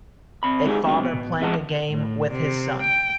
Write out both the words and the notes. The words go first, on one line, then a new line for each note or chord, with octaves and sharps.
A father playing a game with his son.
C3 B5
G#3 D#4 G4 G#4
G#2 B2 D3 F#3 A3
B2
F2 A2 G#3 F#5 A5
A2
C3
G5